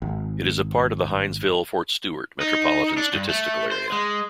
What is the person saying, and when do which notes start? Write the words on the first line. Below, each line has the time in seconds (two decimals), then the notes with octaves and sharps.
It is a part of the Hinesville-Fort Stewart metropolitan statistical area.
0.02 G#1
2.41 D#4
2.97 D4
3.13 G2
3.29 A3
3.72 C5
3.92 G#3